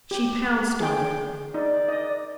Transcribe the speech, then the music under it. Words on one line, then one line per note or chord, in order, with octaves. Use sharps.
She pounced on it.
G4
G#4 G5
D#4 D5
D#5